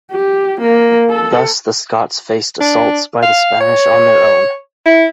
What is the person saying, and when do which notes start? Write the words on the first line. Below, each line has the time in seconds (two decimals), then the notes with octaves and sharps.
Thus, the Scots faced assaults by the Spanish on their own.
0.11 G4
0.61 A#3
1.10 A4
2.61 D4
3.23 F5
3.61 C#5
4.86 E4